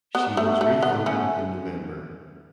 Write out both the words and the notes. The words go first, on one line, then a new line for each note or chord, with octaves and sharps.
She was refloated in November.
B3
A3
A3
B3
A3 C#4